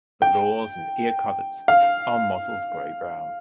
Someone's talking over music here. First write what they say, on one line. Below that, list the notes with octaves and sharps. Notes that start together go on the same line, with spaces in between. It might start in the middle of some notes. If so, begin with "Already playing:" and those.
The lores and ear-coverts are a mottled grey brown.
G5
F5